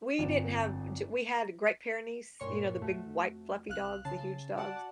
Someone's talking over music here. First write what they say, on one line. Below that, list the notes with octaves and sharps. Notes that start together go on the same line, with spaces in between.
we didn't have g we had Great Pyrenees, you know, the big, white, fluffy dogs, the huge dogs,
G1 F2 D5 E7
G2 A#2 C#5 C6 C#6
F2 A3 F#4
C2 F5 F6 F#6
C#3 A5 C7
F#4 D5 F#5 A5